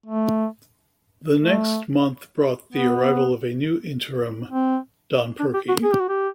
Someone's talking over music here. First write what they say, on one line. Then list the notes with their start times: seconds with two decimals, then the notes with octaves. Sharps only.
The next month, brought the arrival of a new Interim, Don Purkey.
0.06 A3
1.39 A3
2.73 B3
4.50 C4
5.40 D4
5.54 G4
5.69 F#4
5.84 G#4
5.93 G4
6.00 F#4
6.09 G4